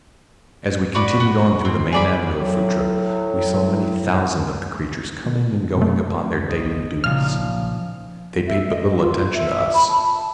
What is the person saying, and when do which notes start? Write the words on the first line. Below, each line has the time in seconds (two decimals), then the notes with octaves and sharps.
As we continued on through the main avenue of Phutra we saw many thousand of the creatures coming and going upon their daily duties. They paid but little attention to us.
0.95 F#4 B4 D5
1.20 F#4
1.65 C4
1.92 G#4 D5 B5
2.36 A2 F#3
5.25 D3
5.78 C3 A3
6.49 C2 D#4
6.77 G1
7.04 A#2 C#3 F3 F6
7.36 B1
8.47 E5
8.70 D#5
8.98 F4
9.33 E5
9.74 B5
9.89 A5